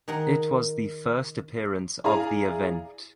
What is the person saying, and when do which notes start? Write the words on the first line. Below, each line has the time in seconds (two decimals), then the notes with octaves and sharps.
It was the first appearance of the event.
0.08 D#3 G#4 A#4 F#5
2.04 E4 G#4 D5 F5 G#5 A#5